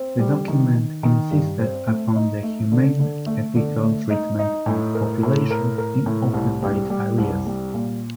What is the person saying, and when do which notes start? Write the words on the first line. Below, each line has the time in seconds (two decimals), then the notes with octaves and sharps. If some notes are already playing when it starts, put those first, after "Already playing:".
The document insisted upon the humane, ethical treatment of populations in occupied areas.
Already playing: C4
0.19 G3
0.48 D#3
0.75 D#3
1.03 D#3
1.31 G2
1.59 C4
1.87 A3
2.16 D#4
2.43 A3
2.72 D3
3.00 D3
3.26 A3
3.55 D3
3.83 A3
4.10 D#4
4.39 D#4
4.66 A2
4.95 A#4
5.23 A2
5.50 A#4
5.78 A#4
6.06 A2
6.34 C2
6.62 G3
6.90 G3
7.18 C2
7.46 G3
7.74 A#2